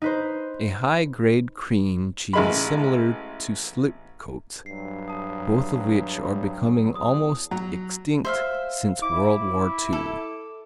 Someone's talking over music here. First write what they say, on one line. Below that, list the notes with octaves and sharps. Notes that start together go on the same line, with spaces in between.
A high-grade cream cheese similar to Slipcote, both of which are becoming almost extinct since World War II.
D#4 B4 C5
A1 G#3 B5
G2 F#3 C7
A5 D#6
E2 D#6
F#3
C5 E5 F5
E4 D6
A4